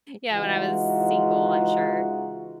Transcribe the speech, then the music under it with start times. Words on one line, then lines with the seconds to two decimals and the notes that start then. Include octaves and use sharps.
yeah, when I was single, I'm sure.
0.32 C#3 E3 G#3 D#4 F4 F#4